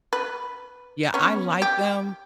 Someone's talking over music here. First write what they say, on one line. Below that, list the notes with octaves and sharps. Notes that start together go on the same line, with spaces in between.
Yeah, I like them,
B4
B3 C#4
G4